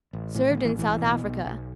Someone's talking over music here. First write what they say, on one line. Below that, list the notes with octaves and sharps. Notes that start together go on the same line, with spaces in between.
Served in South Africa.
A1
A2 E3
D#3
A1
E3
B1 E3
B2
B1
B1